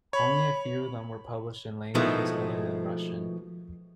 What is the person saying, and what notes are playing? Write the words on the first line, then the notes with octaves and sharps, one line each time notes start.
Only few of them were published in languages other than Russian.
C#5 B5
B2 D#3 F3 G#3 A3 E4